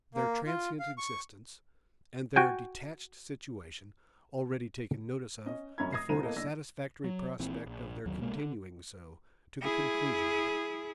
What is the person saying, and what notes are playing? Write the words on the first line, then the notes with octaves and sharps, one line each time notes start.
Their transient existence, and their detached situation, already taken notice of, afford a satisfactory prospect of their continuing so, to the conclusion of it.
A#3
F4
F5
C#6
F#4 G5 G#5
C#4 D#5
F1 F#2 C#4 A#5 B5 G#6
D#6 G#6 A#6 C7
D#1 C2 F2 C5 D#7
A#3 B3 A4 D#5
F#1 D4 E6 A#6
F#3
A#1 A#2 E3 C4
A#1
G1 D#2 F#3
C2 B2 G#3 A#3
D3
E4 G#4